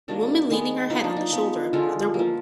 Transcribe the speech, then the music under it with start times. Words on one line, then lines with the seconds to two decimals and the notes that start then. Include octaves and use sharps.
A woman leaning her head on the shoulder of another woman.
0.08 D#3 F#3 A#3 D4
0.50 D#3 G#3 B3
0.90 F3 A#3 D#4
1.04 D4
1.16 D#4
1.32 F3 B3
1.73 D3 F3 G#3 F4
2.14 F3 A#3